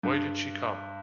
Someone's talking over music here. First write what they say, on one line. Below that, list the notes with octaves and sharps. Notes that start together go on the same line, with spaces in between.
Why did she come?
G2